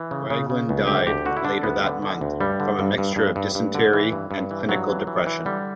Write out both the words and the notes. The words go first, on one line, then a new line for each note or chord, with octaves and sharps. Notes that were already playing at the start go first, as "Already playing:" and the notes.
Raglan died later that month from a mixture of dysentery and clinical depression.
Already playing: E3
C#3
C#3
C#3
C#2
D2 G4
D2 G4
D3 F#4
E4
D3 D4
D2 B3
D3
D3
D2
G2 G3
D3
G2
G2
G2
G2
G2
D3
E3
G2
G2
E3
G2 F#3
E3
E3
E3
D3 G3